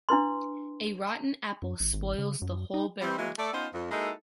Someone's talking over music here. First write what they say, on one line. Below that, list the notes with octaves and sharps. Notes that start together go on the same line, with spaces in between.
A rotten apple spoils the whole barrel.
D4 E4 B4 C6
F#2
G#1
G#1
C#3
F#2
D#4
G3 C4
E3 F#3 G#3 A#3
A3 A4 D5
B3 C#4 D#4 F4 C5
F2
G#3 A#3 D#4 E4 F#4 A4